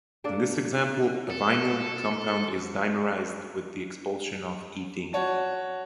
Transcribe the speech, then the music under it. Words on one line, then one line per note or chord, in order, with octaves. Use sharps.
In this example, a vinyl compound is dimerized with the expulsion of ethene.
A#3 D4 A4 D5
A4
F#4 C#5 A5